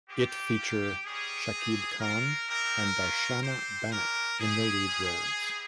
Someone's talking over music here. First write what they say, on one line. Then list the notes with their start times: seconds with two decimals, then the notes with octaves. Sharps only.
It feature Shakib Khan and Darshana Banik in the lead roles.
0.08 C4 F4 G4
0.56 A#3 F4
1.04 G3 C#4 G4 G#4
1.52 C4 G4
1.99 A#3 F4 A#4
2.48 C4 E4 G4 A#4
2.95 A#3 C#4 F4
3.43 C4 G4 C5
3.91 G#3 C#4 G4 A#4
4.39 G3 C4 G4 G#4
4.87 G3 C#4 G4
5.34 C4 E4 G4